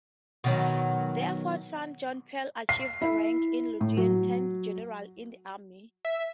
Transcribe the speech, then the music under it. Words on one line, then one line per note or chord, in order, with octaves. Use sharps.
Their fourth son, John Peel, achieved the rank of Lieutenant-General in the Army.
B2 D#3 F#3
C7
E4
A2
F#3
E5